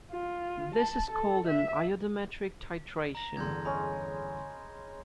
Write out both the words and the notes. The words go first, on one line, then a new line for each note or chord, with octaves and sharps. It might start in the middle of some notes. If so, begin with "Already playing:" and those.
This is called an iodometric titration.
F4
A5
A4
E5
A#5 A#6
E2 G2 D3 C6 G6 G#6
G#3 C#4 B5